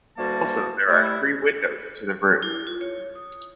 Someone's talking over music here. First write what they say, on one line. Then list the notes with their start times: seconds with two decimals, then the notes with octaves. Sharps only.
Also there are three windows to the room.
0.17 D2 E3 G3 A#3 F#4 A5
0.89 G3 A3 E4
2.43 E4
2.67 F4
2.81 C#5
3.15 D#6